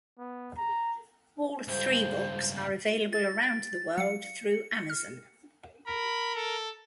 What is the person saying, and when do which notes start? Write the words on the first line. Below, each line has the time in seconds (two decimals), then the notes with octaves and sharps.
All three books are available around the world through Amazon.
0.18 B3
0.57 A#5
1.68 C#2 G2 C5
3.13 A6
3.42 D7
3.98 F#3 F5 C#7
4.90 F6
5.86 A#4 B5
6.35 A4